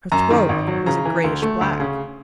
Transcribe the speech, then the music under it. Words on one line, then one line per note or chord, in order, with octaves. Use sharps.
Her throat was a grayish-black.
F#2 A#5
D#3
G#1
F#3
C#3 A#5
E3
D2
A3
D2
C#3